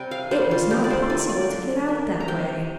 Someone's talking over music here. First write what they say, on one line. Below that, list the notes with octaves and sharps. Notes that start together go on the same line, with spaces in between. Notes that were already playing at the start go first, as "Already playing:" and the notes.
It was not possible to get out that way.
Already playing: C3 G3 G5
F5
G3 A#3 C5
F4
D3 G4
D5
C5
A#3 D5
D5
D3
A#3
A#5
C3 G5